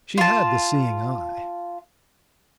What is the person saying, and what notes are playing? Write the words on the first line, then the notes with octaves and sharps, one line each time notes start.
She had the seeing eye.
F4 A5